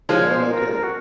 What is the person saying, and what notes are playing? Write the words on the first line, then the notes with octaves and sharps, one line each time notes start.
Oh, no kidding.
F3 G#3 C#5
C5
A#4
A#4
F#4